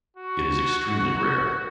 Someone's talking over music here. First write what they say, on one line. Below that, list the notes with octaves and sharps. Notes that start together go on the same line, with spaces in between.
It is extremely rare.
F#4